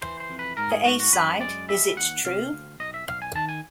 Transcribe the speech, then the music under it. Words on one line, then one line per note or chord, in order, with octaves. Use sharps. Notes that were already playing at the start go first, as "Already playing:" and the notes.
The A-side Is It True?
E3 C5
C5
F2
B4
G#2 A#4
G#4
G#2 F#4
F#4
F#2 B4
G#3 D5
G3 E5
D#2 F#5
C3 F5
D2
B1 D#5
E5
B1 F5
G#5
D#3 A5
G#5